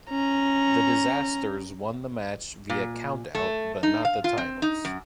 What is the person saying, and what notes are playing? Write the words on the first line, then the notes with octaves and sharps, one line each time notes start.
The Disasters won the match via count out but not the titles.
C#4 A#5
A#2
A3
D#4
F5
F4
C4
D#4
F#2